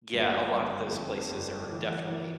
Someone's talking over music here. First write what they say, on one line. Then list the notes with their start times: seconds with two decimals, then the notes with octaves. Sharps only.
yeah, a lot of those places are definitely,
0.14 G1
0.52 G1
0.92 F2
1.31 G1
1.71 E3
2.09 E3